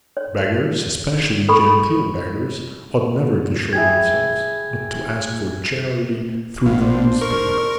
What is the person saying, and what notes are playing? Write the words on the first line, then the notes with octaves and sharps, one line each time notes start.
Beggars, especially genteel beggars, ought never to show themselves, but to ask for charity through the newspapers.
C#5
A4 B5 C#6
E4 G#4 G5 G#6
A#1 A#2 F5
D4 C5
A#4 C#6